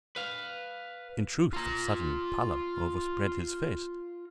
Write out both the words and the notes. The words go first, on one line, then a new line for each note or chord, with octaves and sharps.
In truth, a sudden pallor overspread his face.
B4 F5
F4 A#5